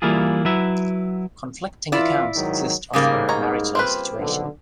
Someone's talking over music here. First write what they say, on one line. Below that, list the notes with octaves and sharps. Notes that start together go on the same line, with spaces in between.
Conflicting accounts exist of her marital situation.
E3 G3 A#3 E4 F4 G#4
F#3 E4 B4 E5
E3 E4 F4 D5
G#2 D#3 F#3
G#2 C#3 G3 A#3
D#4 C#5 A#5
C4 F4 B4
B1 D3